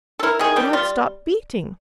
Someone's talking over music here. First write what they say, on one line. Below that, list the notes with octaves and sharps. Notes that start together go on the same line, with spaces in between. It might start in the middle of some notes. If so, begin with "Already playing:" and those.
It had stopped beating.
A4
E4 A#4
D#3 G#4
G3 G4
G3 F4